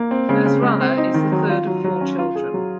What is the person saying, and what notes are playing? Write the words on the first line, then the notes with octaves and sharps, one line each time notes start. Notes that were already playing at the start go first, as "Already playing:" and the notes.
Nasrallah is the third of four children.
Already playing: A#3
C4
C#3
C#3
G#3
C4
D#4
D#3
F#3
F4
F#3
F#3
C#4
F4
G#4
F#3